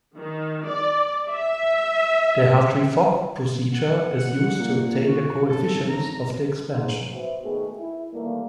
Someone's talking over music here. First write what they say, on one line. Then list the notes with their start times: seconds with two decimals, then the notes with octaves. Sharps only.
The Hartree-Fock procedure is used to obtain the coefficients of the expansion.
0.17 D#3
0.66 D5
1.30 E5
3.74 F#5
4.59 A#2
5.05 F#4
5.47 G#1 A4
5.89 A#5
6.69 C#2 G#2
7.12 B3 F#4 B4 C5 E5
7.42 B2 D#3 G#3 A3 B3 G#4
7.79 E4
8.14 D#3 E3 G3 A3 A#3